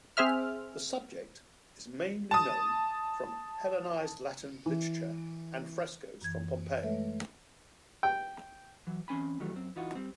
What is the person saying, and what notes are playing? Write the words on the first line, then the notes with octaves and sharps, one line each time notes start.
The subject is mainly known from Hellenized Latin literature and frescoes from Pompeii.
C4 G#4 C5 E5 F6
A5 D#6
E3
F#2 E3 G#6
G#3 A3 A4 B4 C#5 E5
G5
E3 F#3
E3 C4 C#4 G#5 B5
D#3 E3 F#3 G3 A3
F#2 C4
E3 D#4 F4 F#4
G3 C4